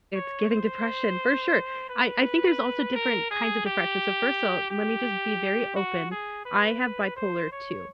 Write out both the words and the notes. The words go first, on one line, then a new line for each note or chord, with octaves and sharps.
it's giving depression," for sure, I I think there's also different kinds of depression, so first of all, let me just be very open, I have bipolar II,
C#5
C5
B4
A#4
G#4
G4
G4
F#4
G#4
B4
C5
C#5